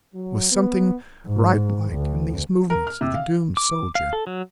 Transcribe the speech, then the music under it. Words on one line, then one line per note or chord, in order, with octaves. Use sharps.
There was something rite-like in these movements of the doomed soldier.
F#3
B3
G#2
D2
A#4
F6
C3
F5
D6
F5
A4
F#3